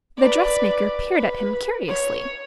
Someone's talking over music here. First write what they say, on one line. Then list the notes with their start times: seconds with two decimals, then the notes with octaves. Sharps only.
The dressmaker peered at him curiously.
0.18 B4 D5
1.16 B4
1.88 C#5